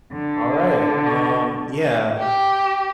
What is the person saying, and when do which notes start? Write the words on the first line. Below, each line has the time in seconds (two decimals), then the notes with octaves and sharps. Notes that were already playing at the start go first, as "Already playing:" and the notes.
Alright, um, yeah.
0.12 D3
2.20 G4